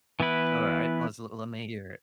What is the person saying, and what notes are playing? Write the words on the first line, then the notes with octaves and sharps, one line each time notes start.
Alright. Let's l let me hear it.
E3 B3 E4 B4